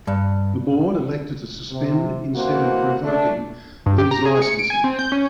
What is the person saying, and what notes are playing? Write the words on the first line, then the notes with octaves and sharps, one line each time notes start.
The board elected to suspend instead of revoking these licenses.
G2
C3
E2 E3 A#3 F#4 C5
A3 D4
G2
G4
A#5
G#4
C#7
D7
G#5
C4
G6
C#4